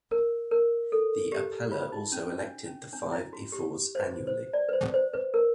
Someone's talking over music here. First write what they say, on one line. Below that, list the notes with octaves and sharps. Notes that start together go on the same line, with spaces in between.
The apella also elected the five ephors annually.
A#4
A#4
A4
G4
F4
D#4
C#4
C#4
D4
C#4
D4
E4
F#4
G4
C5
B4
C5
D5
B4
C5
C5
B4
A#4